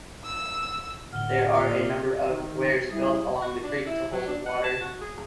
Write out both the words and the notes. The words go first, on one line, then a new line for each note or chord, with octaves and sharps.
There are a number of weirs built along the creek to hold water.
E6
A2 D3 F#5 F6 G7
A#2 D6 D#6
D#3
G3 E4 G#4
F#4
D4
E4
F#3
D4
F#5
A5
F#4
G#4